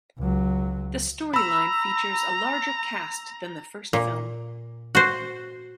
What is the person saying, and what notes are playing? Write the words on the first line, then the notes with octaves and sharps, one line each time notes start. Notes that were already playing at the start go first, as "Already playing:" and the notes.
The storyline features a larger cast than the first film.
C#2 F#3
A#5 B5 E6
A#2
F#4 C5